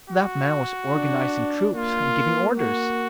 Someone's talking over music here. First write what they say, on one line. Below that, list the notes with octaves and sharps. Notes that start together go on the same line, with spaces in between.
That man was organizing troops and giving orders.
F#4
D4
A#3 F4
F#4